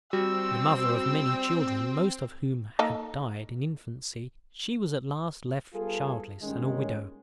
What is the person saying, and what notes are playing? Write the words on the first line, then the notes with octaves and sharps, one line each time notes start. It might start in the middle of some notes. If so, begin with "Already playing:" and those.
The mother of many children, most of whom had died in infancy, she was at last left childless and a widow.
G3 C4 F#4 E6
A#3 D#4 A4
G3 B3 F4 G#4 A4
G2 A#2 D#3 G#3 C#4